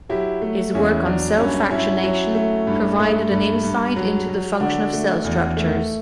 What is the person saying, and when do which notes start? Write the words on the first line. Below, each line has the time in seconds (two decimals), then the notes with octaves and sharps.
His work on cell fractionation provided an insight into the function of cell structures.
0.09 F#3 E4 G4
0.42 A3
0.74 E2 C#4 E4
1.06 F#3 D4
1.38 G2 C#4
1.70 F#3 C#4 E4
2.03 F#3
2.35 A3
2.67 G2
2.99 A3
3.31 G2
3.63 G2
3.96 F#3
4.29 F#3
4.60 D3 D4 F#4
4.93 A3
5.24 E2
5.57 A3